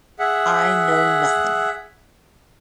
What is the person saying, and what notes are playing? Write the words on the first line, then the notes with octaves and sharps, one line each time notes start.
I know nothing.
G#4 E5 F#5